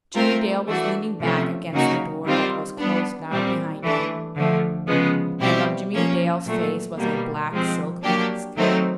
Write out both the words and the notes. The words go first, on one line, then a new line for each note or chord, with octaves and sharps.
Jimmie Dale was leaning back against the door that was closed now behind him--and on Jimmie Dale's face was a black silk mask.
A3 C4 F4 A#4
E3 A3 D4 F#4
C3 F3 A3 C#4
C#3 F#3 A#3 D#4 F#4
D#3 G3 C4 F4
G3 B3 D4
A#2 G3 C4
E3 A3 D4
D3 F3 A3
C#3 F3 G#3 B3
B2 G3 C4 E4 G4
F3 A#3 C#4
A#2 F#3 A3
B2 G3 A#3
F3 G#3 C4
F#3 A#3 D4 G4
D#3 F#3 A3 C4 D#4